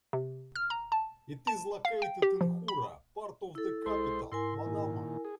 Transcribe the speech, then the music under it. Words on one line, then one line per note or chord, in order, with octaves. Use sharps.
It is located in Hoora, part of the capital, Manama.
C3
F6
A#5
A5
A5
F5
G5
G4
F3
B5
E4 A4
B1 G#3 C5 C6
G#2 E4 A#4 G#5 C6
A#2 D#3
G#4